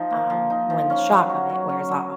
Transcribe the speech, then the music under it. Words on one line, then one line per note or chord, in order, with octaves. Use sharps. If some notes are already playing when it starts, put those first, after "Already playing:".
um, when the shock of it wears off
Already playing: F3 D#4
A#3
F3
D#4
F3
C#4
F#3
F#4
F#3
C#4
F#3